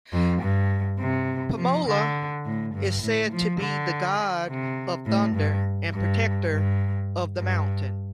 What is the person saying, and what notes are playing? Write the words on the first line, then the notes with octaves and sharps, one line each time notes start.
Pamola is said to be the god of Thunder and protector of the mountain.
F2
G2
C3
F3
D3
A2
G2
A2
F3
D3
C3
A2
G2
G2
G2
G2